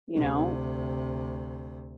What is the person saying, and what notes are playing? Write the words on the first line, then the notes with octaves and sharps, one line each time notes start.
you know?
D2 C3